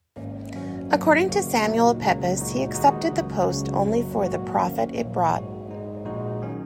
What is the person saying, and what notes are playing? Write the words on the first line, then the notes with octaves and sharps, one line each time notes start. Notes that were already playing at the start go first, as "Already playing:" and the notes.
According to Samuel Pepys, he accepted the post only for the profit it brought.
G#1 G#2 D#3 A#3 C#4
G#1 F#2 F#3 C#4 F#4
G#1 F#2 F#3 A#3
D#2 C#3 A#3 F#4
A#2 F#3 A#3 D#4
C#2 C#3 F#3
A#2 G#3 D#4 F#4
D#2 D#3 G#3 D#4 F#4
C#2 C#3 F#3
C#2 C#3 F#3 C#4 F#4
F#2 F#3 A#3 F#4
A#1 G#2 F#3 A#3 F#4
D#2 D#3 A#3 C#4
A#1 A#2 F#3
G#2 G#3 F#4
G#2 G#3 D#4
A#1 A#2 G#3 D#4 F#4
D#3 F#3 C#4